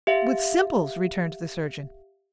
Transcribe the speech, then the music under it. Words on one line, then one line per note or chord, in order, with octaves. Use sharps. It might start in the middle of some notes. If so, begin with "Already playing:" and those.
"With simples," returned the surgeon.
G4 E5 F5